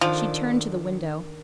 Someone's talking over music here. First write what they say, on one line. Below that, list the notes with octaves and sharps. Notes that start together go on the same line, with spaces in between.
She turned to the window.
D#3 F3 D4 A4